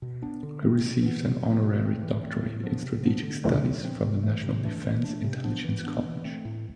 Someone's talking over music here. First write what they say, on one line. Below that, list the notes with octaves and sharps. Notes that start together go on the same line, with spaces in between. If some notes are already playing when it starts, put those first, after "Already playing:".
He received an honorary doctorate in strategic studies from the National Defense Intelligence College.
B2
B3 D4
D3
A3 C4
C3
E3 B3
C3
F3 C4
B2
A3 C4
E3
A3 C4
A2
F3 B3 D4
C3
F3 B3 D4
D3
A3 D4
D3
F3 C4
C3
E3 A3
C3
E3 A3 D4
E3
A3 D4
C3
F3 B3 D4
E3
B3 D4
E3
A3 C4
A2